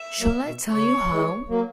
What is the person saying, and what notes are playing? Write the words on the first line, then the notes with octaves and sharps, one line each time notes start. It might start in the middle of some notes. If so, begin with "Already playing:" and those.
Shall I tell you how?
Already playing: E5
F#3 A#3
B2
C#3 C#5
E3 G#3
F#3 A#3